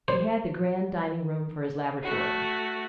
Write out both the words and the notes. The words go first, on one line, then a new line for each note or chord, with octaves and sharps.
He had the grand dining-room for his laboratory.
C5
A3 F#4